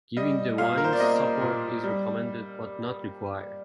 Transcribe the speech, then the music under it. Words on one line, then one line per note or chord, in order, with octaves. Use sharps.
Giving the vines support is recommended, but not required.
G3 D#5
A#2 F5
A#4
C5
D5
A#3 D#5
A#2
G3